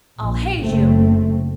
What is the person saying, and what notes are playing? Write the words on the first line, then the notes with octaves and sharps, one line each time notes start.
I'll haze you!
A#1
F#1 A3 C4